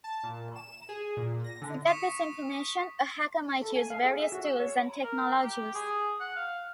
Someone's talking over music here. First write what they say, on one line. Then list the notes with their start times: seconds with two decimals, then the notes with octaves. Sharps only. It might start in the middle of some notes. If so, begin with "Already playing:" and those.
To get this information, a hacker might use various tools and technologies.
0.04 A5
0.23 A#2
0.55 E7
0.89 G#4
1.17 A#2
1.44 A#6
1.61 D3
1.87 C#6 D#6 B6 C#7 E7
3.61 A4
3.76 G#5
3.90 F5
4.04 G#4
4.19 E5
4.32 F#4
4.45 E6
4.60 C#5
5.04 A#4
5.43 G4
5.75 G#4
6.20 F#5
6.36 F5